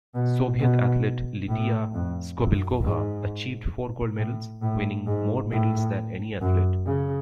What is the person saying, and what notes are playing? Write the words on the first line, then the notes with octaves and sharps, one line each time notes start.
Soviet athlete Lidiya Skoblikova achieved four gold medals, winning more medals than any athlete.
B2
B2
A2
F2
F#2
G#2
A2
A2
G#2
A2
F#2
C#3